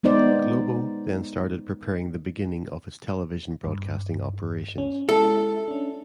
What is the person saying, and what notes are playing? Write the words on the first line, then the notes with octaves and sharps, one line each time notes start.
"Globo" then started preparing the beginning of its television broadcasting operations.
G#3 B3 D#4 C5 D5
G2
C#4
G#3 E4 A4 E5
C#4 D4